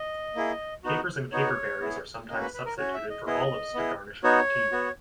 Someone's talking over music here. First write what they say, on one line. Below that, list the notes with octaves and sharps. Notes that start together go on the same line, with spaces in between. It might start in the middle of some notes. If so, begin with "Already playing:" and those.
Capers and caper berries are sometimes substituted for olives to garnish a martini.
Already playing: D#5
A#3 E4 G#4
B3 D#4 F#4
B3 D#4 F#4 C#5
B3 E4 G#4
A#3 C#4 F#4 D#5
B4
B4
A#4
C#4 F#4 C#5
E5
D#5
B3 E4 G#4 D#5
B3 E4 G#4
B3 D#4 F#4 C#5
B3 F#4